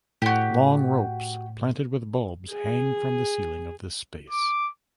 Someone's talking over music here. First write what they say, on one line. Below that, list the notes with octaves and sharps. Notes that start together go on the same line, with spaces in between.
Long ropes planted with bulbs hang From the ceiling of this space.
A2 F#4 G4
G#4
D6